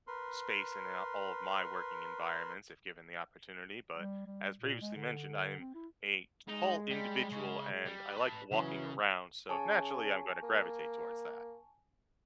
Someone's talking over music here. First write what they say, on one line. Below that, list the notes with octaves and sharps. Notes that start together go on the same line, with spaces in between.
space in, uh, all of my working environments if given the opportunity, but, as previously mentioned, I am a tall individual, and I like walking around, so naturally, I'm gonna gravitate towards that.
A#4 B4 C6
G3
G3
A#2
G#3
D3
C4
E4
G#3 D#4
G3
C#3
G3
B4 A5
C#3 E3 F#3 C#4
C#3 G#5 A5 C#6
A#3